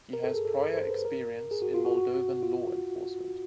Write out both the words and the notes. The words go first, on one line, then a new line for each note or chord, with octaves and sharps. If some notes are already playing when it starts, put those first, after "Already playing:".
He has prior experience in Moldovan law enforcement.
A#4
A4
G#4
A4
A#4
C5
B4
A#4
G#4
F#4
F4
F#4
F#4
F4